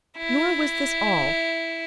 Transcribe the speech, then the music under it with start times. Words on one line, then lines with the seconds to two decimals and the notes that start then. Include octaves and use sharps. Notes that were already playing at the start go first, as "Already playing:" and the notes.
Nor was this all.
0.18 E4